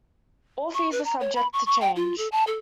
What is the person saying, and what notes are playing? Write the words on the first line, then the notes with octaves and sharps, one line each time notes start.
All fees are subject to change.
C#6
B4
A#5
C#5
B5
C#6
C#6
G5
F4
A4
A5
A4